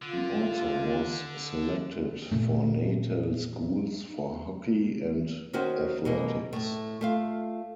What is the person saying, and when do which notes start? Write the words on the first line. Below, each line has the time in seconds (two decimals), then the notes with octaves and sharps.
He also was selected for Natal schools for Hockey and athletics.
0.02 D3 F4
2.32 A#2 C#3 A3
5.53 D#3 C#4 F#4 C5
6.05 B2 G#3 A#3
6.53 A2 A3
7.01 A3 F4 F5